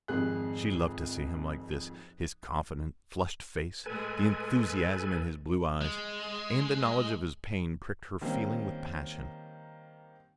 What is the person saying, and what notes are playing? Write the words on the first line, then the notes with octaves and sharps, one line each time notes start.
She loved to see him like this, his confident, flushed face, the enthusiasm in his blue eyes; and the knowledge of his pain pricked her feeling with passion.
G#1 F2 G#4 F#6
A2 G#3 A4 B4 G#5
G#3
D#3 G3 A#3 C4 C#4